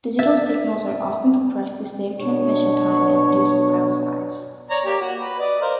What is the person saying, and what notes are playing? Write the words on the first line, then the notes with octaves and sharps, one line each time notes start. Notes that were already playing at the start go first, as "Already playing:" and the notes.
Digital signals are often compressed to save transmission time and reduce file size.
E5 A6
B2 D4 C#5
C#5 D5 A#5
A#3 G4
F#4
B4
D5 D#5
A#4 C5 F5